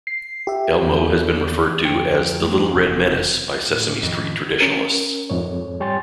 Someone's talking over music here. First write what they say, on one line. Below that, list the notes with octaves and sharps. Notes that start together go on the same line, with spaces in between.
Elmo has been referred to as the "Little Red Menace" by Sesame Street traditionalists.
C7
G4 E5
E2
F2 G5 D7
A3
F1 C4
A2
F2 D#3 D#5
C#4 A#4
F2 G#2 C#5
G3 C#5 G5 G#5 C6 A6